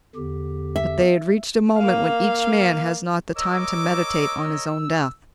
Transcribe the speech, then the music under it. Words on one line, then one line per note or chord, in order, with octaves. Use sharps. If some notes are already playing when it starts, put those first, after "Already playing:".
But they had reached a moment when each man has not the time to meditate on his own death.
E2 D3 G4
E5
A#3 F5
A#4 C#5 D#5 D6 E6